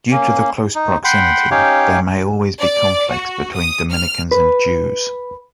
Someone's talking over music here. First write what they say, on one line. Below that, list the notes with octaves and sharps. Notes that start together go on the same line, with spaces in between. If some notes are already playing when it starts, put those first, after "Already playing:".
Due to the close proximity, there may always be conflicts between Dominicans and Jews.
A#3 C#4
D#4
F#5 G5 B5 C6
C#4 D#4 G4 C#5 F5 G5
D5
F#4
D#6
F6
B4